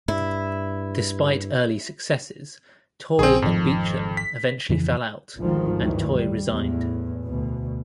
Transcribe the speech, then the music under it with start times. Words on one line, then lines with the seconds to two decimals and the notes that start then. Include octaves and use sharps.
Despite early successes, Toye and Beecham eventually fell out, and Toye resigned.
0.08 G2 E4
3.19 A#1 C4 G#4
3.42 G#1 F2 D#3 F3
4.17 B6
4.69 F2 C#3 E3
5.38 G#1 D2 G#2 D#3 F3
5.80 D2 G2 D#3 E3
6.14 G3
6.50 E2 A2
7.24 D2 B2